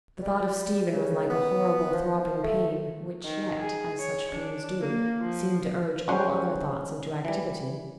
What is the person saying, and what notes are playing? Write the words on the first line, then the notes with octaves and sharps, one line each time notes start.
The thought of Stephen was like a horrible throbbing pain, which yet, as such pains do, seemed to urge all other thoughts into activity.
G3
C#3
B3
F3
A3
D#3
G#4
C#5
D4
A#3
F3
G3 G#3 C#4 C5 F#5 G5
E3 G3